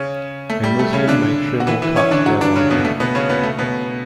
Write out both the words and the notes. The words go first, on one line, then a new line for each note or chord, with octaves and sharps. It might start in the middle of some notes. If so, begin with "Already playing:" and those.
A Muslim may trim or cut hair on head.
Already playing: C#3 C#4
A3
G3
A3
C#3 C#4
D3 D4
F#4
E3 E4
E3 E4
C#4 C#5
D3 D4
F#3 F#4
D3 D4
C#3 C#4
B2 B3
A3
B2 B3
C#3 C#4
B2 B3
A3
B2 B3